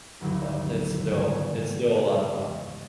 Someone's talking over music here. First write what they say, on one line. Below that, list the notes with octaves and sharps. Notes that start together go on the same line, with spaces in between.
But, it's still it's still a lot of fun.
F#1 D2 G2 D#3 F#3
G1 G#2 C#3 G#4 C#6
G4 D5 D#5 C#6